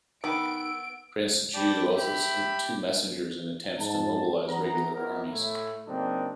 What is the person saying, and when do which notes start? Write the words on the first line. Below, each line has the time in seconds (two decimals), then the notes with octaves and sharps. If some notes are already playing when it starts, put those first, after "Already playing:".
Prince Ju also sent two messengers in attempts to mobilize regular armies.
0.24 D#3 B3 E6 D7
1.54 G4 D5 G5 A5 B5
1.95 G4 E5 B5
3.79 G#2 A5
4.49 E3 B3 A#5
4.94 B3 E4 A#4
5.33 A2 A3 E4
5.87 C#3 F#3 A#3 C4 D4 D#4